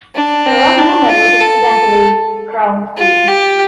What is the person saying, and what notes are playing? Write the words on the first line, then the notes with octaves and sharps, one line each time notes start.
The wrong woman was accidentally crowned queen.
D4
C4
D4
F4
A4
F4
G4